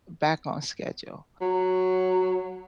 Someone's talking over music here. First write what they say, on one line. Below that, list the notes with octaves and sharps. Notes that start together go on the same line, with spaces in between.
back on schedule.
F#3